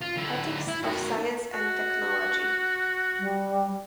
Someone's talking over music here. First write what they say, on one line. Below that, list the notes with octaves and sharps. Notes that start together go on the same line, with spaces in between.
Ethics of science and technology.
F4
D3 E4
E4
D#3 F#3
F#4
G3